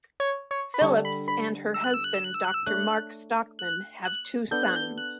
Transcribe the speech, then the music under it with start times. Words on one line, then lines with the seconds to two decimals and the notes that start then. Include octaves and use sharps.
Phillips and her husband, Doctor Mark Stockman, have two sons.
0.20 C#5
0.51 C#5
0.74 B4
0.81 D3 G3 D4 A4 C#5
1.05 B5
1.28 B5
1.74 E6
1.84 F#6
1.94 E6
2.04 F#6
2.14 E6
2.24 F#6
2.34 E6
2.45 F#6
2.54 E6
2.66 A3 D4 A4 C#5 F#6
3.59 F#6
4.05 F#6
4.51 B3 D4 A4 G6
4.63 F#6
4.76 G6
4.98 F#6